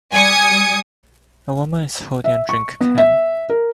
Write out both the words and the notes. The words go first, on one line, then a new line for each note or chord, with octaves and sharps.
A woman is holding a drink can.
G3 G#5 D#6 G#6 C#7
E5
C#6
B3
E5
A#4